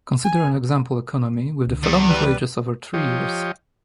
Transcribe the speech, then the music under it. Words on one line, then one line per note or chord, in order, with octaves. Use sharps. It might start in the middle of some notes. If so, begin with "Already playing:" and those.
Consider an example economy with the following wages over three years.
G#5
C#2 D3
E2
G3 B4
F3 G4 C#5 D#5